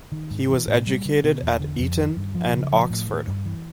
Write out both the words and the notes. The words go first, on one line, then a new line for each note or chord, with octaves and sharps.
He was educated at Eton and Oxford.
D#3
G#2
E3
A2
G3
D3
B2
E2
D3
F2
D#3
G2
F3
C#3
F3
A2
D#3
G2
E3